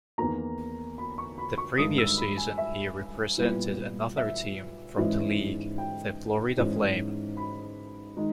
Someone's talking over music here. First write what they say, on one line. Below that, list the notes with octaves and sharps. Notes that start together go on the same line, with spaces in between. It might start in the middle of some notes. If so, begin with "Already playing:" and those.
The previous season, he represented another team from the league, the Florida Flame.
E2 D#3 A#3 A#5
B5
C#6
B5
C#6
G2 D#3 G#3 D#6
E6
B5
G#5
E5
A#2 G3 B3 E4
E5
G#2 E3 G#3 C#4 E4
G5
G#2 E3 G#3 C#4
B5
D#3 G#3 D#4